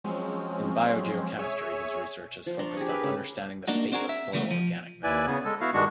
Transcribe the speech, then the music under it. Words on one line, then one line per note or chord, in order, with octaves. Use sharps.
In biogeochemistry his research has focused on understanding the fate of soil organic matter.
F3 F#3 G#3 C4 C#4
G#4 C#5 E5 G#5
F3
D4 A#5 C6 C#6
G4 G#4
A#4 B4
C#3 A3
A#3 D4 D#4 F#4
C4 D4 F#4 G#4 A#4
E5
C#3 E3 G3 A3 B3
F3
D#2 E4 B4 D5 G#5
C#3 B3
G#3 A4
B3 E4 F#4 F5
G2 D#3 G#3 D4 F#4 C#6